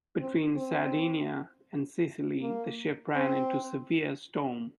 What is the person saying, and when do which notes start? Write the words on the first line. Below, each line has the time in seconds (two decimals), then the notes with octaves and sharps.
Between Sardinia and Sicily the ship ran into a severe storm.
0.20 C4
0.57 C4
2.41 A#3
3.16 C4